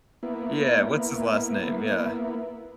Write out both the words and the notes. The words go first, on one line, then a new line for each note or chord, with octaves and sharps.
yeah, what's his last name? Yeah.
A#3 B3 E4